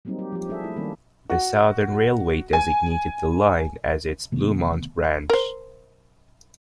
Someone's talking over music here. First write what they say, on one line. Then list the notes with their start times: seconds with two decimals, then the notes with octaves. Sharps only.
The Southern Railway designated the line as its Bluemont Branch.
0.05 F#3 G3 A#3 C4 D#4
0.19 G4
0.32 F3 G4
0.49 D4 G#4 A4 E5
0.64 A3 E4
0.76 D#3 G3 A#3 C#4 D4
1.30 F#4
2.53 G#5
4.32 C3 D#3 A3 B3
5.30 A#4 C5